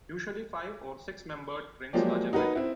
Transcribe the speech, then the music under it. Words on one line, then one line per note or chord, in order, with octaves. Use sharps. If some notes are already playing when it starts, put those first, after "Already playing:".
Usually five- or six-membered rings are generated.
F3 F#3 G#3 A#3 G4 D5
D#4 F#4 A#4 B4
C4 E4